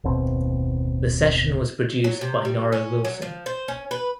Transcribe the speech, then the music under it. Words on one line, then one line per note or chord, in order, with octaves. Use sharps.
The session was produced by Norro Wilson.
F#1 D#2 B2 C4
F#3
C3
G3
C#4
F#3
F3
C5
C#4
B4